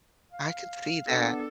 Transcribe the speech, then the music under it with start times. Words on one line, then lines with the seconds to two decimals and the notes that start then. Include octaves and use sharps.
I could see that.
0.32 F5
1.06 B3 D4 A4